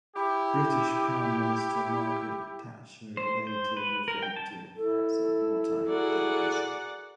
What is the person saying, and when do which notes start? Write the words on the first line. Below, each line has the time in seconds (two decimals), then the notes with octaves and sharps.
British Prime Minister Margaret Thatcher later referred to it as a "wartime delicacy".
0.15 E4 G4
3.17 C5
3.47 C5
3.77 B4
4.08 A#4
4.23 G5
4.36 A5
4.77 E4 A4
5.88 F#4 G#4 A#4 D5 F#5